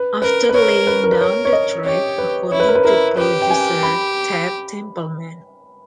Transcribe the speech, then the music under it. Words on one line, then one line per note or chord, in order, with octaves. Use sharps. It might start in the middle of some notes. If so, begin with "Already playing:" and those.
After laying down the track, according to producer Ted Templeman.
Already playing: B4
A#4 B4
B4
A#4 C#5
B4
A#4
B4
A#4 C#5
C#5
D#5
G4 C#5
B4
E4 C#5
B4
A#4
B4
E4 A#4
G4 B4
G5
G#5
B5